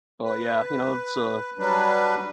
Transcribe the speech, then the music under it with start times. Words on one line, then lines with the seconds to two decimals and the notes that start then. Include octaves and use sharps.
oh, yeah. You know, it's, uh
0.25 B4
1.59 F#3 G3 D4 B4